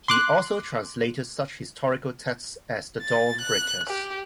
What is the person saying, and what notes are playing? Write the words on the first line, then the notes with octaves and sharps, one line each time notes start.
He also translated such historical texts as "The Dawn-breakers".
C6 D6 F#6
A6
F#6
G4